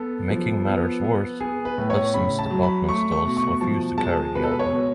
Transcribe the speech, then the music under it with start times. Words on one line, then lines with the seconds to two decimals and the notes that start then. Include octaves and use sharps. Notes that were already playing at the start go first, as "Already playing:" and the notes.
Making matters worse, Hudson's department stores refused to carry the album.
Already playing: B3 A4
0.30 F3
0.68 B3
1.04 B3
1.40 B3 G#4
1.65 B4
1.78 A2
1.90 C#5
2.14 C#3 B5
2.39 A5
2.51 F#3
2.63 B5
2.89 A3 C#6
3.12 C#6
3.25 B2
3.37 C#6
3.61 F3 A5
3.98 G#3 A5
4.35 B2 B4
4.44 A4
4.51 B4
4.59 C#5
4.72 B2